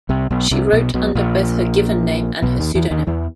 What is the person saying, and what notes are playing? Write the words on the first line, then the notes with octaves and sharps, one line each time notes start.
She wrote under both her given name and her pseudonym.
C2 C3
B1 B2
C2 C3
B1 B2
B1 B2
A#1 A#2
B1 B2
D#2 D#3
E2 E3
D#2 D#3
E2 E3